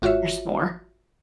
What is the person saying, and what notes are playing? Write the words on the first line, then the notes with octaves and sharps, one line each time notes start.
There's more.
G#1 F4 F#4 C#5 E5